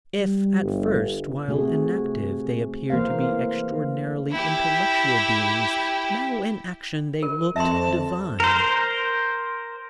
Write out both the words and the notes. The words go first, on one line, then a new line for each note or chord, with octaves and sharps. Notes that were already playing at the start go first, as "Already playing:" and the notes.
If at first while inactive they appeared to be extraordinarily intellectual beings, now in action they looked divine.
G3
G1
C3 A3 F#4 G#4
E3 A#3 C5 F5
E4 G4
A#4
F2 E5 A5 C6
A#4 C5